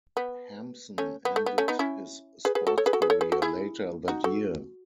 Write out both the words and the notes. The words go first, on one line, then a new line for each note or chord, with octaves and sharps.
Hampson ended his sports career later that year.
B3
A3 C#4
B3
A3
B3
A3 C#4
B3 D#4
C#4 E4
G#4 B4
G#4 B4
F#4 A4
A4 C#5
G#4 B4
F#4 A4
G#4 B4
A4 C#5
G#4 B4
F#4 A4
E4 G#4
D#4 F#4
F#4 A4